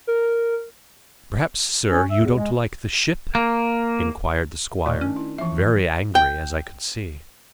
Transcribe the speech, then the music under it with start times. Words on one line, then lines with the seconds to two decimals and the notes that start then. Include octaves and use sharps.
"Perhaps, sir, you don't like the ship?" inquired the squire, very angry, as I could see.
0.07 A#4
1.89 C#4
2.09 E5
2.21 E2
2.35 G#3
3.35 A#3
4.86 A#2 A3 F4 D5 C#6
5.01 D#3 C#4 D4
5.16 E4
5.38 E3 F3 E5 C#6
6.15 G5